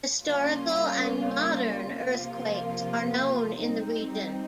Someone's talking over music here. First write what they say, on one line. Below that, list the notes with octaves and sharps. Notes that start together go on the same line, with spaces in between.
Historical and modern earthquakes are known in the region.
C#3 G3 A#3 C#4 F4
C3 F3 A#3 F4
G3 C4 D#4